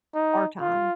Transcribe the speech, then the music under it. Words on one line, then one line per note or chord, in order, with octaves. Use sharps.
our time,
D#4
F4